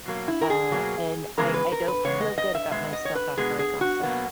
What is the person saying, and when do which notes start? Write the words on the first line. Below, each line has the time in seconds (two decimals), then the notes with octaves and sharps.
uh, and I I don't feel good about myself after I gossip.
0.05 B2 F#3 A#3
0.28 E4
0.41 A#4
0.50 G#4
0.72 B2 F#3 A#3
1.38 C#3 E3 G#3 B3 A#4
1.54 B4
1.72 A#4
1.88 B4
2.05 C#3 E3 G#3 B3 C#5
2.21 D#5
2.38 D#5
2.55 E5
2.70 B2 G#3 B3 E5
2.93 D#5
3.05 C#5
3.15 B4
3.37 B2 G#3 B3 G#4
3.59 G#4
3.81 F#4
4.03 B2 F#3 A#3 B3